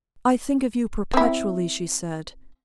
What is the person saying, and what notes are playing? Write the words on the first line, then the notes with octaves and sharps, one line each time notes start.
"I think of you perpetually," she said.
C4 E4